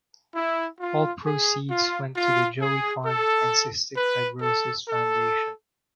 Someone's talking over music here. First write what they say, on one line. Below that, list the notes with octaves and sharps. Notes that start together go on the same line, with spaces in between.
All proceeds went to the Joey Fund and Cystic Fibrosis Foundation.
E4
F4
G#4
F4
F4
G#4
A4
B4
A4
A4